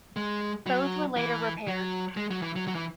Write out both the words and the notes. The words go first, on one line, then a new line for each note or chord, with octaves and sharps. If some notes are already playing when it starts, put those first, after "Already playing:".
Both were later repaired.
G#3
F#3
E3
F#3
G#3
F#3
E3
F#3
F#3
E3